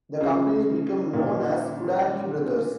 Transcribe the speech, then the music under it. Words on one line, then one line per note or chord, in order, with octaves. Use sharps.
The company became known as Cudahy Brothers.
C#3
A#2